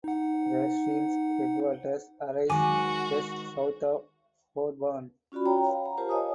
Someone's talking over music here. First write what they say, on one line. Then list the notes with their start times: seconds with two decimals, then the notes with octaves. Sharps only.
The stream headwaters arise just south of Bourbon.
0.04 D#4 F#5
2.50 D#3 F#3 G#3 F#4 G#5 D6
5.32 C#4 F4 F#4 D5 B5
5.46 C#5 G5 A#5
5.67 F5
5.83 F#5 A#5
5.97 F4 G4 A#4 C5 A5 A#5
6.09 C#5 D#5 F5 G#5 D#6